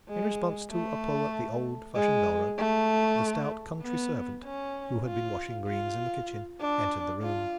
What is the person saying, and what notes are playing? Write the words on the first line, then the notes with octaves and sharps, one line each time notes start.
In response to a pull at the old-fashioned bell-rope, the stout country servant, who had been washing greens in the kitchen, entered the room.
G#3
A3
G#3
A3
B3
C#4
F4
F4
D4
F4